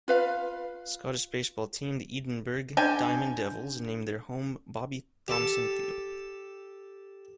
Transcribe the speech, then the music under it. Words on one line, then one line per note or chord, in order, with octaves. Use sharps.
Scottish baseball team, the Edinburgh Diamond Devils, named their home Bobby Thomson Field.
F4 B4 F5
D3 D4 G5 G#5
G4 A4